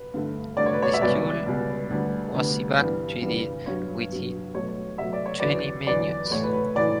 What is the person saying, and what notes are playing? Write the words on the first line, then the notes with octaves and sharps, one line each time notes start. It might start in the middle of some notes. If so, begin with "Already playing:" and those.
The school was evacuated within twenty minutes.
Already playing: B4
G2 D3 A3
G2 D3 A3 D5
C#5
B4
C#5
E5
C#2 B2 G3 B3 B4 D5
C#2 B2 G3 B3
D2 D3 G3 B3
D2 D3 G3 B3
G2 E3 G3 B3
G2 E3 G3 B3
G2 F#3 B3 C#5
G2 F#3 B3
B2 F#3 A3 C#5
B2 F#3 A3 E5
D5
C#5
E2 D3 F#3 B4 D5
E2 D3 F#3 B4 D5
B4
A2 E3 A3 C#5
B4
B4
A2 E3 A3 B4 D5